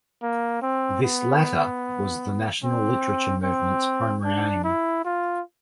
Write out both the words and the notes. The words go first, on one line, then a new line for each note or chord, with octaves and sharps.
This latter was the National Literature movement's primary aim.
A#3
C4
B3
C4
C4
D4
E4
F4